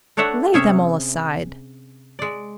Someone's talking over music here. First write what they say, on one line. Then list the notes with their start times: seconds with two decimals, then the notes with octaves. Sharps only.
Lay them all aside.
0.17 A3 D4 C#5 E5 F#5
0.54 C3 C#4 G#4 C#5 E5
2.19 G#3 D5